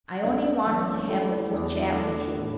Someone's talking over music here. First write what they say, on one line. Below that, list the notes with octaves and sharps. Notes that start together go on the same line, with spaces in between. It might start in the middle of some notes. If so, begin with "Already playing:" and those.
I only wanted to have a little chat with you.
D2 D3 B3
F#2 E3 D4
D3 A3 E4 A4
E2 E3 D4
D3 A3 D4
A2 A3 E4